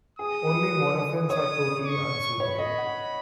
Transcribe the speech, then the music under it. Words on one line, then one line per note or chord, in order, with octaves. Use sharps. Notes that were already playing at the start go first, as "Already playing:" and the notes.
Only monofins are totally unsuitable.
G#4 D#6
B4
C#5 D#6
C#6
C#5 B5
D#5
F#5